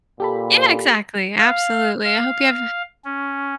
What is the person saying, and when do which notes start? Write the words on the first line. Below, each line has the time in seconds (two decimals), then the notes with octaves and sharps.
Yeah, exactly. Absolutely. I hope you have
0.20 A#2 G4 A4 B5
1.38 F5
2.04 F5
3.05 C#4